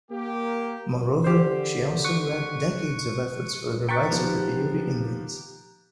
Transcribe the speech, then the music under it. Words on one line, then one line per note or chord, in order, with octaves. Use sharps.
Moreover, she also led decades of efforts for the rights of the Paiute Indians.
A#3 G4
D3 G4 C5
C#6 F#6 C#7
G5 A#5 C#6 F#6 A6 B6 C#7
D#3 F3 B3 G4